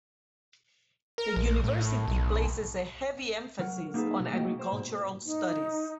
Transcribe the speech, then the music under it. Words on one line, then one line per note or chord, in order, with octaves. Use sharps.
The university places a heavy emphasis on agricultural studies.
A#4
A#1
A2
B1
F#3 A#4 F#5
A#3 D#4 E4 G#4 A4 B4
B2 G3
A3 A#3 F#4 D#5 F#5 G5
C5
G#2 B2
D#4